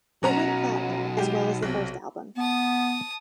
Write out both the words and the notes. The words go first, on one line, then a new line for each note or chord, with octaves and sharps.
It went Platinum as well as the first album.
B1 F#3 C#4 F#4 A#5
G#3 G4
B1 C3
B3 A5 D#6